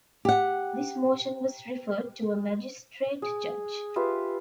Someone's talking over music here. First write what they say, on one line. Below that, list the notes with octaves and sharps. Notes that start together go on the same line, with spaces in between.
This motion was referred to a magistrate judge.
G4 F#5
G#4
F4 G4 B4 E5